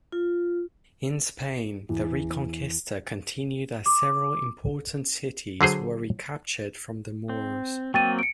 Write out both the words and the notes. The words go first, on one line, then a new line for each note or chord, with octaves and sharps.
In Spain, the Reconquista continued as several important cities were recaptured from the Moors.
F4
E2
D6
D3 F#3 G#4 C5
C4
F#3 A#3 C4 G5 A6 D#7
C#7 D7